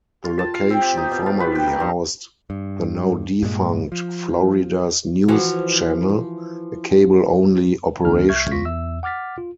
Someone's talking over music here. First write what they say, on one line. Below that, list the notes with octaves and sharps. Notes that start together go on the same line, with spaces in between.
The location formerly housed the now-defunct Florida's News Channel, a cable-only operation.
F4
A5
F5
C4
G4
D#4
B2
F4
B4
G4
A#4
G2
G2
G2 A#2 G#3
F3
E3 F3 F#4
D2 D#3 A#3 D4 F6
C2 E5 C#6 F6 G6 G#6
E2 F4 C#6 A#6 B6
E2 E5 E6
F#5 D6 F6 A6 B6
F4